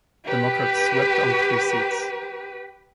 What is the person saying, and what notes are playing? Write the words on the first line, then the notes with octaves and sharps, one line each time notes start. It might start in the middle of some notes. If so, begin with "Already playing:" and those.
Democrats swept all three seats.
G4 B4